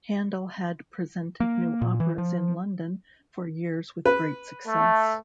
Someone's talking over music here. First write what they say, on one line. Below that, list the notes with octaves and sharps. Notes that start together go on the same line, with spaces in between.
Handel had presented new operas in London for years with great success.
A#3
A#2
E3
F3
B4
A3